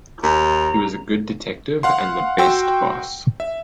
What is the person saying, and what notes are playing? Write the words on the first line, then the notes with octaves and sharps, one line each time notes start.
He was a good detective and the best boss.
D#2 A#5
F5 F#5 C6
F#4 G5 C6 E6
E5